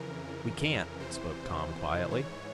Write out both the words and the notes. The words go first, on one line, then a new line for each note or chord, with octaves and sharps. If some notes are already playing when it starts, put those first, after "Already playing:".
"We can't," spoke Tom, quietly.
Already playing: F2 C#3 E3 A#4
E2 C3 E3 C5
G#2 E3 C#5